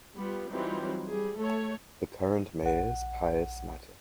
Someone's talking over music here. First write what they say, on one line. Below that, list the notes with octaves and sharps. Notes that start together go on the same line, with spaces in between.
The current mayor is Pius Natter.
G3 B3 F4
E3 F#3 G3 C4 D#4 F4
G3 G#4
A3 A4 C#5
A#1 F#5